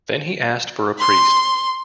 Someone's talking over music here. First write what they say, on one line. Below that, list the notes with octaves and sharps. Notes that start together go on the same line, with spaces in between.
Then he asked for a priest.
C6